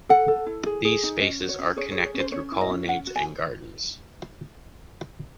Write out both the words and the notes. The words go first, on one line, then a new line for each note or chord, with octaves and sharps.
These spaces are connected through colonnades and gardens.
A4 F#5
A4
E4
G#4
G#4
D#4
C#4 D#5
F#4
C#5
C#4
G#4 C#5
C#5
G#4
C#5
C#4
C5
C#4 C#5
E4
D#5
C#4
C#4 F#5
F#4
G#5